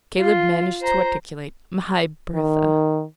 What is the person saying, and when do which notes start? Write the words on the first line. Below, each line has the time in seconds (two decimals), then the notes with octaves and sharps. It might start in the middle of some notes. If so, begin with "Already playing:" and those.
Caleb managed to articulate, "My Bertha!"
0.18 F4
0.81 C5 A#5
2.35 D#3